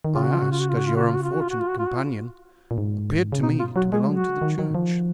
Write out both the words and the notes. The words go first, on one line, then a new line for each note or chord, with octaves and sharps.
"I ask, as your unfortunate companion appeared to me to belong to the church."
D#3
C#3 F4
F#4
F4
F#4
F4
F#4
F4
F#4
F4
F#4
F4
F#4
F4
F#4
F4
F#4
F4
F#4
F4
F#4
F4
A#2
G#2
C#3
B2 D#4
F4
F#3 F#4
G#3 G#4
F#3 F#4
D#3
D#3
F3